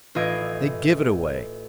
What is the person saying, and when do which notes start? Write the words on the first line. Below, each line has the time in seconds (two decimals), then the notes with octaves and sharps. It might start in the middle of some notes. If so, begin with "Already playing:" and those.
They give it away.
0.15 A1 E4 F4 D#5 G#6 D7